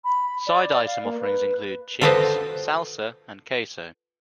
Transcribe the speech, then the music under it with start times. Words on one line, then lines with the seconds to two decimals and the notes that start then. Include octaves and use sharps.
Side item offerings include chips, salsa, and queso.
0.04 B5
0.47 D5
0.86 F5
1.04 A#3
1.20 B4
2.01 F4 F#4 A4 B4 C5 D#5